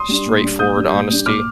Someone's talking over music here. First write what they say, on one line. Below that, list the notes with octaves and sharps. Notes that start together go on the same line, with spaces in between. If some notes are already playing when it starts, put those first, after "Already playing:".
straightforward honesty
Already playing: C6 D#6
G3 D4
A#2
G3 D4
A#2 D#6 G6
G3 D4
A#2
G3 D4
A#2 D6 F6